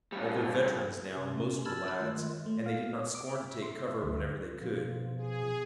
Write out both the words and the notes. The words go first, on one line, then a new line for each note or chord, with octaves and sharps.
Although veterans now, most were lads, and they did not scorn to take cover whenever they could.
E2 G3
C3 C#4
A5 B5 E6 F6 G#6 A6
D#3 G#3 A3 F4
A3
F5
C#5
D6
E5
C6
E5
D2
B2 F3
G#4